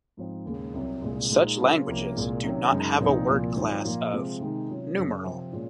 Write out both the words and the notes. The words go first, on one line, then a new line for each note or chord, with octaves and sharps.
Such languages do not have a word class of 'numeral'.
G#2 F3 C4 D#4
D#2 C#3 G#3
C2 C3 F#3
C2 A#2 G#3
A#2 G#3 D#4
C#3 F#3 C#4 F4
C2 C3 F3 A#3 C#4
C2 A#2 G#3
C3 D#3 F#3 C#4
F#2 C#3 G#3 D#4
C2 A#2 F3 C4 D#4
C2 A#2 F3 A#3
G#2 D#3 F#3 C4 F4
A#2 F3 A#3 F4
C3 F3 G#3 C4
C3 D#3 G#3 D#4
C3 F#3 C#4 F4
F#2 C#3 F#3
C3 F3 C4
A#2 G#3 C#4 F4